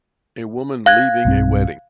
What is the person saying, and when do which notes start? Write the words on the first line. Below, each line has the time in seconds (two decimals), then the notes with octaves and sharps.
A woman leaving a wedding.
0.86 F5 F#6 G#6
1.25 B1 G2 C4